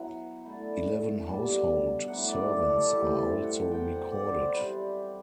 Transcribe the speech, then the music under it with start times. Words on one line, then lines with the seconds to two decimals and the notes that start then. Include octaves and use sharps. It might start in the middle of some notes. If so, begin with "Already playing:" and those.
Eleven household servants are also recorded.
Already playing: F#3 B3 E4 F#5
0.45 D3 A3 E4
1.27 B2 G3 D4
2.08 F#3 A3 E4 F#5
2.28 D5
2.49 D5
2.69 A4
2.89 A2 G3 C4 E4 G4
3.17 A4
3.39 G5
3.44 F#5
3.71 B2 F#3 C4 G5
3.92 F#5
4.12 D5
4.32 C5
4.53 E3 G3 C4 E4 B4